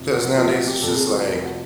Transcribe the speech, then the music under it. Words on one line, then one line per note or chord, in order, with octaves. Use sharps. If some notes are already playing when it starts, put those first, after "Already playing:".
‘cause nowadays, it's just like,
Already playing: F1 F2 C3
F#4
F#4
F1 F2 C3 F4
F#4
G4
F1 F2 C3 A4
G#4
F#4
F1 F2 C3 F4
F#4